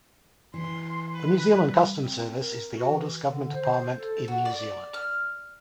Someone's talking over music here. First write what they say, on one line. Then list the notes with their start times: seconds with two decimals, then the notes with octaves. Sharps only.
The New Zealand Customs service is the oldest government department in New Zealand.
0.54 E3 C6
1.13 B4
1.55 G3
2.00 C4
2.35 A#4
2.75 F#4
2.89 E3
3.22 D3
3.54 C5
3.98 A4
4.28 F#4
4.45 D5
4.94 F6